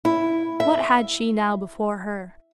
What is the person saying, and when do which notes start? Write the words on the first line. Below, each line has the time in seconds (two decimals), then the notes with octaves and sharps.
What had she now before her?
0.05 E4
0.60 E5